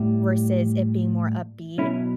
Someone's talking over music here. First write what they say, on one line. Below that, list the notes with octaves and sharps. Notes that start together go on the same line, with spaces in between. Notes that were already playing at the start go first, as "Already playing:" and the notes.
versus it being more upbeat,
Already playing: A2 G3
B2 F#3 C#4 E4